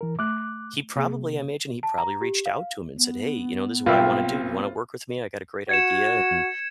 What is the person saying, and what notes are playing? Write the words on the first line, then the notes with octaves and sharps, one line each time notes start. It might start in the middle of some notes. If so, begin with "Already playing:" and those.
he probably I imagine he probably reached out to 'em and said, "Hey, you know, this is what I wanna do, do you wanna work with me? I got a great idea," and,
E3 A#4
A3 D6 F#6
C3 A#3 G#4
A5
A#5
G4
F5
B3
B1 A#3 C4 F4 B4 E5
F#4 G#6 C#7 E7